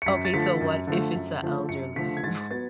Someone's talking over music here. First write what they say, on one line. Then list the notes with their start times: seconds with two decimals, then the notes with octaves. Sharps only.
Okay, so what if it's a elderly, wo
0.02 C#7
0.06 F#2 B6
0.25 A6
0.33 D3 F3 A3 B6
0.61 F#2
0.87 D3 F3 A3
1.15 F#2
1.42 D3 F3 A3
1.69 F#2 C#7
1.96 D3 F3 A3 B6
2.17 G#6
2.23 G#2 A6
2.51 F#3 B3 A6